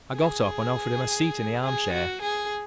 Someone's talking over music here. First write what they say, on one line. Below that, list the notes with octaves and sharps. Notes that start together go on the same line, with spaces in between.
I got up and offered her my seat in the arm-chair.
G#4
G#4
F#4
G#4